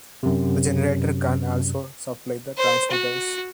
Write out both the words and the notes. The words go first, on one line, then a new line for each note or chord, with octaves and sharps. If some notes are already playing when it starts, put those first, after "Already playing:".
The generator can also supply the transmitters.
F#2 C3
C5
F#4